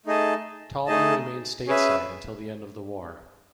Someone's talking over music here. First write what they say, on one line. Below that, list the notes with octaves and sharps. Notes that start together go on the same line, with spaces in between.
Tallman remained stateside until the end of the war.
A3 D#4 G#4 D#5 A5
A3 D#4 G#4 D#5 A5
C#4 G#4 B4 E5